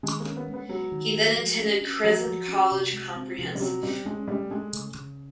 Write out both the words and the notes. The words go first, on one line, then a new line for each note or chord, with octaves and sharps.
He then attended Crescent College Comprehensive.
D#3 G#3
A#3 C#4
B3
G#3
B3
F#3 G#3
D#3
G#3
F3
C#4
C#4
F3 F#3
F3
C#4
C3
G#3
C4
C3 F3
G3
F#3 C4
G3 C4
G#3 C#4
G3 A3
G#3 A3
C#3
C#3